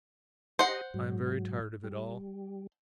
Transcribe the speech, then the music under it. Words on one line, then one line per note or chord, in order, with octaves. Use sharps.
I am very tired of it all....
G4 C5 D#5 F#5 A#5
G#2 F#3
G3